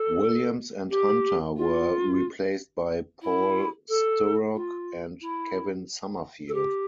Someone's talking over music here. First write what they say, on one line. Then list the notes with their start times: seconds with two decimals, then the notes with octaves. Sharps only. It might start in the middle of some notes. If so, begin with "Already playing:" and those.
Williams and Hunter were replaced by Paul Sturrock and Kevin Summerfield.
Already playing: A4
0.90 G4
1.56 F4
3.22 E4
3.88 A4
4.54 F4
5.21 E4
6.48 A4
6.54 G4